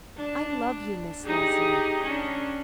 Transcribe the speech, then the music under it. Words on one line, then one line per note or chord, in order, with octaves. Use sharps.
I love you, Miss Leslie.
D4
D#4 G4 G#4
C#4 D4